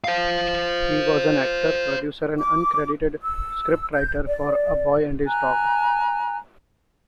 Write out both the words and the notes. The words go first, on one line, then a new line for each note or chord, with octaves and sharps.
He was an actor, producer, and uncredited scriptwriter for "A Boy and His Dog".
C5 F5
D6
E6
G6
D5
G#5 A#5 F#6